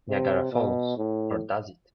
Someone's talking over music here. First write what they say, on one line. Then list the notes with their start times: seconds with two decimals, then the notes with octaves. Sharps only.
Niagara Falls, or Does It?
0.09 C3
0.52 B2
0.97 A2